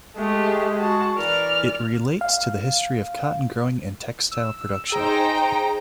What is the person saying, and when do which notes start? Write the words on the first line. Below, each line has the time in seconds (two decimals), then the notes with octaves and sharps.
It relates the history of cotton growing and textile production.
0.16 G#3 A3 G4
0.79 F#4 A5
1.17 E3 A#4 D5 F6
2.21 F5
4.31 E6
4.92 D#4 G#4 C5 G5 A#5